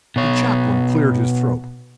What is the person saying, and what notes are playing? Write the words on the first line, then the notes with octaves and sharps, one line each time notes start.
The chaplain cleared his throat.
B2 C#5